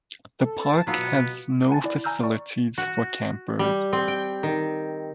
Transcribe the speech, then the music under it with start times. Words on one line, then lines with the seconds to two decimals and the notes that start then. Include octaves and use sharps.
The park has no facilities for campers.
0.42 A4
0.63 A5
0.87 B2 F#3 B3 F4
1.71 F#5 G#5 A5 A6
1.84 E4 D5
2.04 G#5 A#5 E6 F6 G6
2.23 D5 C#6
2.78 F#4
3.59 G3
3.93 C4
4.08 G5
4.43 D#3